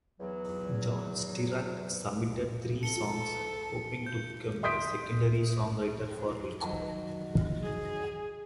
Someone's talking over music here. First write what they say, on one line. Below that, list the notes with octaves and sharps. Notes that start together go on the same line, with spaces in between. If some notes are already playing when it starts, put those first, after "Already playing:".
John Stirratt submitted three songs, hoping to become a secondary songwriter for Wilco.
E2 F#3
A4 C#7 G7
G6
E5 C6 D#6 G6 B6 D7
D#3 F#3
G#4